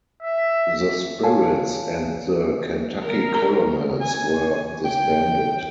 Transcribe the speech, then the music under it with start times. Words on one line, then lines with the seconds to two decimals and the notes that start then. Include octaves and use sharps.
The Spirits and the Kentucky Colonels were disbanded.
0.22 E5
1.23 C#5 F5 G#5 A5
3.02 A#4
3.34 A#5
4.01 G#5
4.85 G5